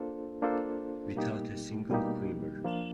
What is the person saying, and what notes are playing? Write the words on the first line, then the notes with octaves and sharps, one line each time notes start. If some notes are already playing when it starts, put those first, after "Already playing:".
Without a single quiver.
Already playing: A#3 D4 F4 A4 C5
A#3 D4 F4 A4 C5
B2 G3 A#3 D#4 G4
B2 G3 A#3 D#4 G4
F3 A#3 D4 F4